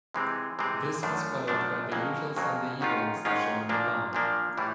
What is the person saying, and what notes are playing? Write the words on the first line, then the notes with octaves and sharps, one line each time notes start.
This was followed by the usual Sunday evening session in the Barn.
C3 E3 G#3 C4
C3 E3 G#3 C4
F#2 D3 F3 A3 D4
F#2 D3 F3 A3 D4
F2 C#3 F#3 A#3
F2 C#3 F#3 A#3
G#2 D#3 G#3 C#4 F4
G#2 D#3 G#3 C#4 F4
A#2 F3 A#3 D4
A#2 F3 A#3 D4
A2 E3 G3